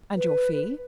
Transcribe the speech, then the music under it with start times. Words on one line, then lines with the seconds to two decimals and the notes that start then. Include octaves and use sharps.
"And your fee?"
0.16 B4